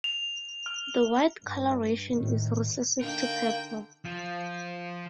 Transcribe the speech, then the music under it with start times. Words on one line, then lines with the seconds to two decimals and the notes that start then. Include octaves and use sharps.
The white coloration is recessive to purple.
0.04 F7
0.66 F6
1.43 G2
2.12 A2 D#3
3.01 D3 D#4 A#4 F5 G5
4.05 F3